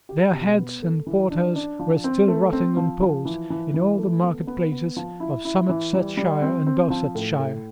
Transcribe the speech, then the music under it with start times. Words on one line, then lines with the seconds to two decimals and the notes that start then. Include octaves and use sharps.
Their heads and quarters were still rotting on poles in all the market places of Somersetshire and Dorsetshire.
0.09 G4
0.34 B2
0.58 B3
0.82 A4
1.07 E3
1.30 D4
1.55 D4
1.79 F3
2.04 C4
2.28 A3
2.53 C4
2.77 F3
3.01 F3
3.25 E3
3.50 E3
3.74 E3
3.99 A3
4.23 B3
4.47 B3
4.71 B3
4.96 F3
5.20 E4
5.45 E4
5.69 E3
5.93 G3
6.17 G3
6.42 C4
6.67 C4
6.90 F3
7.15 A2
7.39 A2